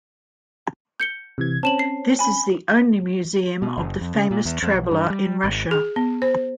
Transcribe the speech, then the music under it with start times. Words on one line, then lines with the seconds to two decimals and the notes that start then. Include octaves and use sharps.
This is the only museum of the famous traveler in Russia.
1.00 G6 C#7 G7
1.38 C3 E3 G#6
1.63 C4 C#4 A5 E7 F#7
1.79 C7
2.19 G#5 B5
3.62 B2
3.77 F#1
4.01 F2
4.15 C#3
4.31 A#2
4.45 E2
4.62 F2
4.74 B1
4.91 G2
5.10 G3
5.44 G#1
5.71 G#4
5.96 B3
6.22 C5